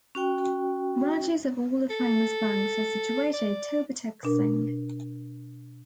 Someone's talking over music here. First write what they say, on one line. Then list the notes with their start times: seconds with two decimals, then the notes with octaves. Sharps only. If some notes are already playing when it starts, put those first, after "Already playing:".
Branches of all the famous banks are situated Toba Tek Singh.
0.15 C#4 F#4 G5
1.90 A4
3.33 D5
4.23 B2 D4 A#4